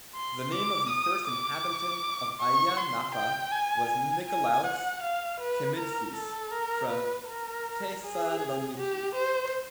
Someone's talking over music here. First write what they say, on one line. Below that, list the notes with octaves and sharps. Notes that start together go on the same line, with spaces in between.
The name of the first inhabitant of Ayia Napa was Nikolaos Kemitzis from Thesaloniki.
C6
D6
D#6
D6
C#6
C6
G5
G#5
G#5
G#5
F#5
F5
B4
A#4
A4
A#4
B4
A#4
G#4
G4
C5